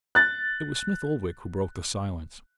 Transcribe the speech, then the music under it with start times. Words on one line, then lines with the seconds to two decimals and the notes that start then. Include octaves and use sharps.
It was Smith-Oldwick who broke the silence.
0.15 F#6 A6